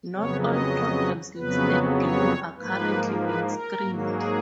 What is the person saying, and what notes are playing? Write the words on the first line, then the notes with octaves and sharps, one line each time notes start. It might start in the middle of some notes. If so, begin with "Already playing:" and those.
Not all programs listed below are currently being screened.
F2 C#3 F#3 B3 C#5
D#5
F2 C#3 F#3 B3 B4
C#5
G#2 F3 A#3 B4
B4
A#4
G#2 F#3 A#3
G#4